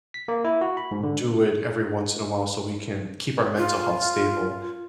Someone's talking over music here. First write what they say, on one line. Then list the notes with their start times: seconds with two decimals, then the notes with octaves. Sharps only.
do it every once in a while so we can keep our mental health stable,
0.14 B6
0.28 A#3
0.45 E4
0.61 F#4
0.77 B5
0.91 G#2
1.03 D3
3.58 F4